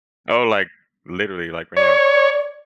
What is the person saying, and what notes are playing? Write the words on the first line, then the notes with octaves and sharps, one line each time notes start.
Oh, like, literally, like, right now.
C#5 D5